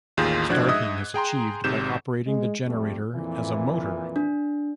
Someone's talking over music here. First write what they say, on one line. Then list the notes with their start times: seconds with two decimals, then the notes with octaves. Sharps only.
Starting is achieved by operating the generator as a motor.
0.17 A1 D#2 F4 G#4 C6 G6
0.49 A2 F3 D4 F#4 F#6 G#6
0.68 G#2 D#5 E5 D#6
1.14 G#4 G5 A#5 C6
1.64 G#1 G#2 C3 G6 E7
2.26 G#3
2.64 F2 G3 A3
3.13 F2 A#2 E3
4.16 D4